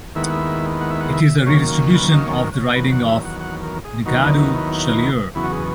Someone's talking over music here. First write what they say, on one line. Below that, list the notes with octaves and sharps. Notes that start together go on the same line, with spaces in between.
It is a redistribution of the riding of Nigadoo-Chaleur.
D#2 D#3 G#3 B3 E4 E5
F#5
E5
F#5
E5
F#5
E5
D#2 D#3 F#3 A#3 C#4 C#5
B4
D#5
C#5
D#5
C#5
E2 D#3 F#3 B4
F#5
E5
F#5
F#5
A#4
G#4
D#2 D#3 F#3 B3 D#4 F#4
E4
E4
E4
E2 C#3 F#3 B3 E4
F#4
G#4